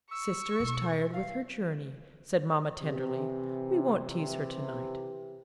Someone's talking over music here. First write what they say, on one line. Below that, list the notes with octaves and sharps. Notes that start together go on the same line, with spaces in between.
"Sister is tired with her journey," said mamma tenderly; "we won't tease her to-night."
C#6 E6
B2 D#4
F5
C3 E3